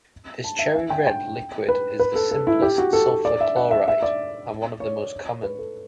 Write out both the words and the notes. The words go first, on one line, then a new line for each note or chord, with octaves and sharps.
This cherry-red liquid is the simplest sulfur chloride and one of the most common.
A5
E5
E5
G5
G5
B4
B4
A4
A4
E4
G4
F#4
A4
D5
E5
F#5
E5
E5
D5
C#5
B4
A4